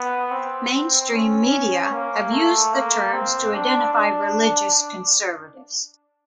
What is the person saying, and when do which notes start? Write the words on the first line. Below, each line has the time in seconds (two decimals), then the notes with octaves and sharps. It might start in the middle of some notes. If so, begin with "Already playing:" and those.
Mainstream media have used the terms to identify religious conservatives.
Already playing: B3
0.31 C4
1.12 C#4
1.93 A#3
2.32 A3
2.73 A#3
3.13 C4
3.54 D4
3.94 D4